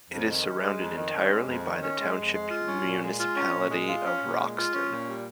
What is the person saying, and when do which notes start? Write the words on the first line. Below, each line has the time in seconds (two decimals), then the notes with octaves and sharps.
It is surrounded entirely by the township municipality of Roxton.
0.09 F2
0.26 D#3
0.43 C#4
0.61 G#3
0.79 F2
0.96 D#3
1.13 C#4
1.29 G#3
1.47 F2
1.64 D#3
1.81 C#4
1.99 G#3
2.16 F2
2.33 G#3
2.50 F4
2.67 C#4
2.84 A#2
3.02 G#3
3.19 F4
3.36 C#4
3.54 A#2
3.70 G#3
3.88 F4
4.05 C#4
4.21 A#2
4.39 G#3
4.57 F4
4.74 C#4
4.90 A#2
5.08 G3